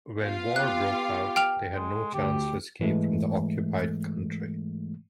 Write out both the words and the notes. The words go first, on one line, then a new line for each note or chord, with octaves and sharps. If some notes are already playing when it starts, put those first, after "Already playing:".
When war broke out, they had no chance to escape from the occupied country.
B3 F4 F5
G4 F#6
G5 F6 F7
G#3
D2 G4
G#2 E3 G#3 A3